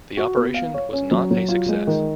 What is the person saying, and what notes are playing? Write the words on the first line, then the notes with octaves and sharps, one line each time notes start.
The operation was not a success.
F#4
B3
F5
C#5
C#4
F#3
F#3
F4
G#3
D#3